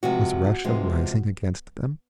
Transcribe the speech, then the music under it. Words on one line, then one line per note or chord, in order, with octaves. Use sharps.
Was Russia rising against them?
E2 C3 F3 G#3 F#4
E2 C3 F3 G#3